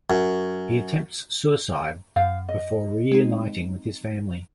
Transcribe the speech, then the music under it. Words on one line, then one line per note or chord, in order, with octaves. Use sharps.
He attempts suicide, before reuniting with his family.
F#2
F#2 F5
D#5
G#3 C4 D#4